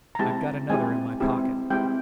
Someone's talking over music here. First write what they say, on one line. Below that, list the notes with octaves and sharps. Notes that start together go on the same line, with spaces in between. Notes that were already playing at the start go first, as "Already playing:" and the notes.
"I've got another in my pocket."
A#5
G#3 C4 E4 G4 A5
G#3 C4 E4 G4 G#5
G#3 C4 E4 G4
G#3 C4 E4 G4 G5